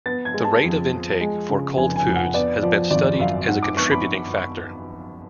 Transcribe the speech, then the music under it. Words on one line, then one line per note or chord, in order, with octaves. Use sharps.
The rate of intake for cold foods has been studied as a contributing factor.
B3 A6
G#6
G#3
A5
F2
F3
G#3
C#3
F1 G#5
G#5
F2
F#5
B3 D5
F3 D5
G#1 D5
F#2 F5
G#2 F#5
D6
B3 C#6
B5